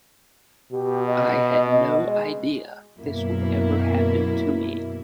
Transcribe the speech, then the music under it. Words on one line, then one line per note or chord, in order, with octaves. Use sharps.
I had no idea this would ever happen to me.
B2 G4
D#5
G#3
F#2 B2 A#3 E4